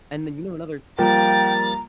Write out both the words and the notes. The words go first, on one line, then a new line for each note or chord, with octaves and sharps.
and then you know another
F3 G3 A#3 G5 A#5 A6